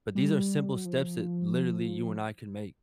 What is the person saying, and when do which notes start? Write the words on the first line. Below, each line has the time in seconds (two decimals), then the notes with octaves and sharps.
But these are simple steps that literally you and I can make
0.15 G3
0.76 F#3
0.85 F3